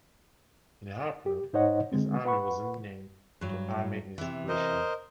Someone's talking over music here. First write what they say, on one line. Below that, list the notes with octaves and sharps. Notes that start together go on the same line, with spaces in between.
In April, his army was renamed to Army East Prussia.
G4
G#2 D#4 C5 C#5 D#5 F#5
D3 G#3 C4
B4 F#5 B5 C#6
G2 F#3
C3 E3
A#4 C5 D#5